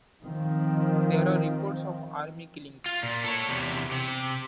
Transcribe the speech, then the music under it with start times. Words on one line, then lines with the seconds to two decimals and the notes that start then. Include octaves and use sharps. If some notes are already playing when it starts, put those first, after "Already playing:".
There are reports of Army killings.
0.24 D#3 F3 C4
2.86 F4
3.03 A#2
3.24 A4 C#5
3.49 E2 C3
3.92 C3